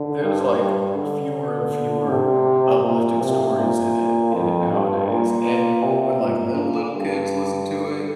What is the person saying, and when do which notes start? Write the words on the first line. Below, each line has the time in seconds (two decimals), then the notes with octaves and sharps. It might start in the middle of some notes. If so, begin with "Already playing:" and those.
there's, like, fewer and fewer uplifting stories in it in it nowadays, and when, like, little little kids listen to it,
Already playing: D3
0.22 G2
0.59 G2
0.97 D3
2.09 C3
2.84 A#2
3.21 C3
3.59 A#2
4.34 F2
4.71 G2
5.08 A#2
5.83 C3
6.21 A#2
6.96 G2